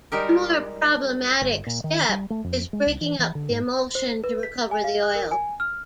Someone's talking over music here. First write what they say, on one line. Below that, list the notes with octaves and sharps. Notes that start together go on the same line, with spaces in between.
The more problematic step is breaking up the emulsion to recover the oil.
G3 G#3 D#4 G4 A#4
G1
A#2
D#3
G3
A3
F2
G#3
C2
E3
E3
D3
G#2
C5
B4
B6
G#5
F5
F#6
A#4
G#5
F6